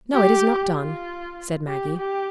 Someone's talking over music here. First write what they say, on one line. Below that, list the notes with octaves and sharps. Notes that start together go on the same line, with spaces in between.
"No, it is not done," said Maggie.
G4
F4
G4
G4